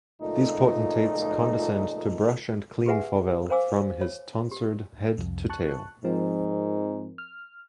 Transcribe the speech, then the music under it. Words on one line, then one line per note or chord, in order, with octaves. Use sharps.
These potentates condescend to brush and clean Fauvel from his tonsured head to tail.
C#2 A#2 F3 A3 D#4
G4 G#4 B4 E5 F#5 G#5
A#4 C5 F5 G#5 D6 E6
C#5
G4
C2 F2
A5 C#6 F#6
G#2 F3 C4 A#4
F6